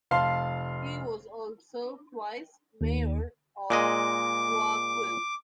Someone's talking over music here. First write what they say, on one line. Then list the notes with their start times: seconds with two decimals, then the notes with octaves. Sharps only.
He was also twice mayor of Guayaquil.
0.11 F1 F5 A5 C6 C7
2.81 D#2
3.70 A#2 G#3 D#5 D6